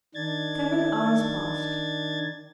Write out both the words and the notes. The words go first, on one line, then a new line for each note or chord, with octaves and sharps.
Several hours passed.
D#3 D4 G#6 A6